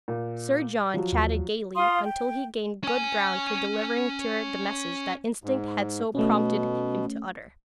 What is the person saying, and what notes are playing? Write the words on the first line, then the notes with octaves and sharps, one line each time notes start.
Sir John chatted gaily until he gained good ground for delivering to her the message that instinct had so prompted him to utter.
A#2
F3 F#3
D#2
F4 F5 C6 D#6
G5
C#4 G#5
G#2
B2 A3 C#4